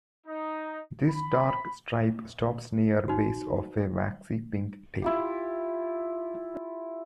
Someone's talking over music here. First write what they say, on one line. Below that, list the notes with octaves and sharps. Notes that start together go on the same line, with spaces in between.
This dark stripe stops near base of a waxy-pink tail.
D#4
B5
D#4 F#4
E4 F4 G4